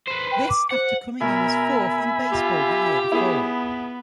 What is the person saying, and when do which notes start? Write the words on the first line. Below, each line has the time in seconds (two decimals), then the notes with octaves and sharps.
This after coming in as fourth in baseball the year before.
0.07 B4 C5
0.31 G5
0.49 D6
0.71 C5 F#5
1.21 B2 A#4 E5 G#5 B5
2.32 F4 G4
3.12 B3 E4 G#4